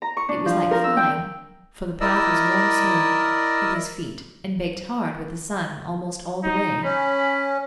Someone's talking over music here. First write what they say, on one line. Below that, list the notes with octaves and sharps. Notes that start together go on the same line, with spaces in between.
It was like flying, for the path was worn smooth with his feet and baked hard with the sun almost all the way.
A#5
C#6
D4
F3
A#4
E6
G5
E4 A#4 D5 D#5 E6
D#4
C#4 B5